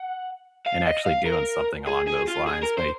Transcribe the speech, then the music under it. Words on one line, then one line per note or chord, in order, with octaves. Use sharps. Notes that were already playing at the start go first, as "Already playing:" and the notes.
and actually doing something along those lines. My
Already playing: F#5
F5
D#5
F5
A#4
G#4
G#4
F4
G#4
A#4
C5